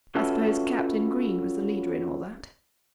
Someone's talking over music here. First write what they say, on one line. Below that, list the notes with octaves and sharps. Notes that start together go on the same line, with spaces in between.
"I suppose Captain Green was the leader in all that?"
C#4 F4 F#4 A4 B4 E5